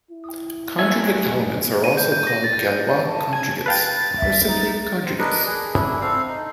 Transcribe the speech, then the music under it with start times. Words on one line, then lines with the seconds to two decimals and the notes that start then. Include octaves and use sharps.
Conjugate elements are also called "Galois conjugates", or simply "conjugates".
0.11 E4
0.79 F#3 A3 E5 G#5
1.84 D#7
1.97 G6
2.12 G6
2.27 A#6
2.44 A6
3.08 A5
3.33 G#5 G#6
3.66 B4 F5 G5 A6
4.18 E5
4.47 D#4
5.05 C4
5.19 D4 A#4 B4 D#5
5.46 G#4
5.74 D4 E4
6.01 C4 A4 F5
6.28 D#4